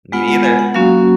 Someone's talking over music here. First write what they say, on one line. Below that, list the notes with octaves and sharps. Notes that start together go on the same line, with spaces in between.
Me neither,
G#3 B3 F4 F#5
F#5
G#5
F#5
F#3 A#3 C#4 F#4 F5